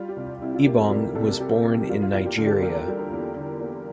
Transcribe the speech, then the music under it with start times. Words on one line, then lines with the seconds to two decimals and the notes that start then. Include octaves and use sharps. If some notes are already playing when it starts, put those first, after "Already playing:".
Ebong was born in Nigeria.
Already playing: G3 F4
0.08 G4
0.16 C2
0.42 C3 E4
0.54 F4
0.65 A#3 G4
0.78 A4
0.91 G3 A#4
1.03 A#4
1.15 C2 A4
1.27 G4
1.39 C3 G4
1.65 A#3
1.89 G3 F4
2.02 F4
2.13 E2 F4
2.26 G4
2.38 D3 A4
2.46 G4
2.51 A4
2.62 A#3 A#4
2.75 A#4
2.88 G3 A4
2.99 A#4
3.12 E2
3.36 D3
3.61 A#3